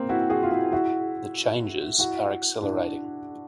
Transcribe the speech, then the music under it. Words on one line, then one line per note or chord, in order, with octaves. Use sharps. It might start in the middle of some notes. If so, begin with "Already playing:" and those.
The changes are accelerating.
Already playing: A#3 C4
E4 F#4
F#4 G#4
F4
E4 F#4
E4 F#4
E4 F#4
D4 E4